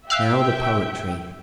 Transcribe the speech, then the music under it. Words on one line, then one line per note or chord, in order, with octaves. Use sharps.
"Now the poetry."
E5 F5 G5 E6 F#6